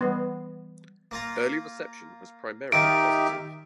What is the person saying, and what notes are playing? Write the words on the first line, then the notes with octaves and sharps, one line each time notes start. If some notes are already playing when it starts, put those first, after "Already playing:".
Early reception was primarily positive.
E3 G3 B3
A#3 F4 A#5
D#3 D#4 F4 G4 E5 D7